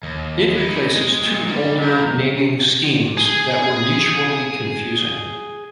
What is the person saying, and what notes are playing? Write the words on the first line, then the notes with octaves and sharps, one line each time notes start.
It replaces two older naming schemes that were mutually confusing.
D#2
D#4 E4
G#3
A#2
D#3 G3
E4 A#4
G#4 G#5